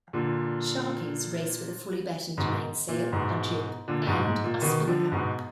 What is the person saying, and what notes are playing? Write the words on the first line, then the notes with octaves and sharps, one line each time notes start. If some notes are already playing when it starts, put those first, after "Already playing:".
Sharpies race with a fully battened mainsail, a jib and a spinnaker.
A#2 D3
G#2 B2
A#2
G#2 B2
A#2 D3
G#2 B2
G#2
A#2
B2 D#3
D3 F3
G#2 B2